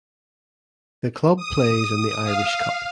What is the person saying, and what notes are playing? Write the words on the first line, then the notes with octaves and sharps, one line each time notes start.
The club plays in the Irish Cup.
D#6
F5